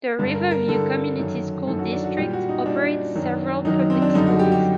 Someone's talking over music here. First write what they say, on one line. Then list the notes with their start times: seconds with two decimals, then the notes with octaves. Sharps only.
The Riverview Community School District operates several public schools.
0.19 G2 D3 G3
0.35 A#4
0.51 A#4
0.68 G2 D3 G3 A4
1.17 F#2 D#3 F#3
1.67 F#2 D#3 F#3 A4
1.79 F#4
1.92 D4
2.04 F#4
2.17 A#2 G3 G4
2.33 F#4
2.49 D#4
2.65 A#2 G3 D4
3.15 F#2 D#3 F#3
3.65 F#2 D#3 F#3 D#4
3.90 C4
4.02 D4
4.14 F#2 D3 G3 D#4
4.27 F#4
4.39 G4
4.52 G4